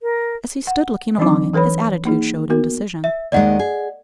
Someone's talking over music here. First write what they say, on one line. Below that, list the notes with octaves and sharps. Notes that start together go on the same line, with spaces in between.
As he stood looking along it, his attitude showed indecision.
A#4
F#5
E3 F#3 C4 D4 D#4 D6
E3 A4 B4 C#5 B5
A#3 D#4 G#4
B3 F#4 A#4
E5
D#2 D#3 G#3 D5 D#5 F#5
G#4